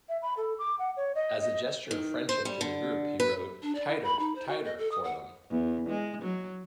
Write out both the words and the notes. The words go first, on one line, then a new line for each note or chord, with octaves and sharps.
As a gesture of friendship to the group he wrote "Tighter, Tighter" for them.
E5
B5
A4
D6
F#5
C#5
D#5
D#5
D#3
C5
G3
D3
B4
D4
D5
E4
B5
D#4
C5
F#4
D#5
A4
D#6
F#5
E2
G#3
F#3